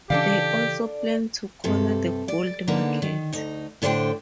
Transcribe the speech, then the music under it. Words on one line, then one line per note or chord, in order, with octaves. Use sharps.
They also plan to corner the gold market.
C#3 E3 C#4 D4 G4 A4 D5 F5
G2 C3 A4
D5
D3 A#3 B3 D#4 B4
D#3
D2 D#4
A2 D3 D4 A4 C5 G5